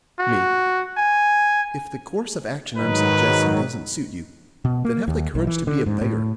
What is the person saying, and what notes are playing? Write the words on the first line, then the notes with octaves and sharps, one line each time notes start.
ME: If the course of action I'm suggesting doesn't suit you, then have the courage to be a beggar.
F#4
G#5
G#2 D#3 F#3 D#4 B4
B2
A#3
D#2
B1
E3
D3
G#2
A2